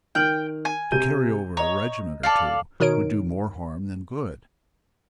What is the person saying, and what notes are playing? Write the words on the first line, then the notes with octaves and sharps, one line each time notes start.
To carry over a regiment or two would do more harm than good.
D#3 G5 F6 F#7
G#5
C3 G6 D#7
C#5 D#5 A#5
A4 D5 F5
B2 D#3 D#4 A#4 C#5 D7